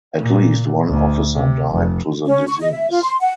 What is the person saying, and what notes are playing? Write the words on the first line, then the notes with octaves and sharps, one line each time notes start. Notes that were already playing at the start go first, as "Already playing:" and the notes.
At least one officer died to the disease.
A#2
D2
C3
F1
C#4
C#6
D#5
E5
F4
C6
F#5